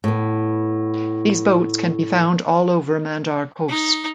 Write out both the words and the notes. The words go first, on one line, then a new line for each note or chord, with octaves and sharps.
These boats can be found all over Mandar coast.
A2 B3
D#4